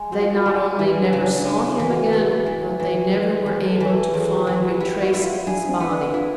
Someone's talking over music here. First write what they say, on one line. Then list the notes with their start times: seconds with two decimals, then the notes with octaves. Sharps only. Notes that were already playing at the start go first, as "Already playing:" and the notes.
They not only never saw him again but they never were able to find a trace of his body.
Already playing: G#3
0.12 C4 F#4
0.22 F4
0.33 F#4
0.46 G#3 F4
0.79 E3 E4
1.01 D4
1.13 C#3
1.24 D4
1.45 G#3
1.68 E4
1.79 E3
1.90 F#4
2.13 E2
2.46 E3
2.80 E3
3.13 E3
3.46 E2 G4
3.69 A4
3.80 E3
3.86 A#4
3.91 A4
4.13 E2 G#4
4.35 G4
4.47 E2
4.58 F#4
4.80 E4 G4
5.02 F#4
5.14 E4
5.25 F4
5.47 D4 G#4
5.69 C4
5.80 B3
5.91 D4
6.14 E4 F4